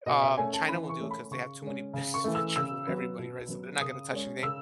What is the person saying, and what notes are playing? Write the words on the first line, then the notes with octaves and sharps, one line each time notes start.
Um, China won't do it 'cause they have too many business ventures with everybody, right? So, they're not gonna touch anything.
B2 D#5
E5
A3 C#4 G#5
A5
E3 B5
C#6
A3 C#4
B5
C#3 C#6
G#3 C#4
C#3
C#6
E3 A3
E6
C#3 E6
F#3 B3
B2
F#3 B3
C#3 D#6
G#3 C#4
C#3 E6